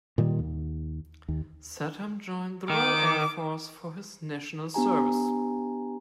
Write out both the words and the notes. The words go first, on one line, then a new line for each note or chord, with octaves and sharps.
Statham joined the Royal Air Force for his national service.
A#2 D#3 G3
D#2
D#2
D#3 D6
B3 D4 G4 G#5 A#5